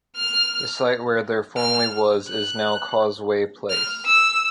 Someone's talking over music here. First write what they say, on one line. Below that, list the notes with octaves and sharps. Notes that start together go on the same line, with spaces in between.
The site where there formerly was is now Causeway Place.
F6
F6
F#6
F6
E6